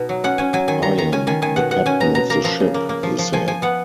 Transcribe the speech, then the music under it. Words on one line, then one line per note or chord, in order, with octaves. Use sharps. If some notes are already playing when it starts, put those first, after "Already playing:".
"I am the captain of the ship," he said.
Already playing: B2 D#4
F#3
C#4 F#5
C#4 G#5
F#3 G#5
D#3 G#5
D#3 A#5
D#3 A#5
C#4 G#5
D#3 G#5
D#3 G#5
B2 F#5
B2 F#5
C#4 G#5
B2 A#5
B2 A#5
A#3 A#5
F3 A#5
C#3
A#3
A#3
F3
F3
F3 G#5
F3 G#5
B3 F#5